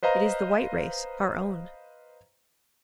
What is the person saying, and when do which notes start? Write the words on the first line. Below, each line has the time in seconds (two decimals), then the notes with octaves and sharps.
It is the white race, our own.
0.03 B4 C5 D#5 F5 A#5